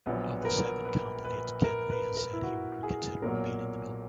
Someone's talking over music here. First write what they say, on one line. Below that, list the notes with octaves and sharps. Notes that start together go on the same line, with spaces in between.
Of the seven candidates, Kennedy has said he would consider repealing the bill.
A#1 A#2 F#3 B3
B4
A#4
B4
B4
A#4
B4
A#4
E4
F#4
G#4
B1 A#2 F#3 A#4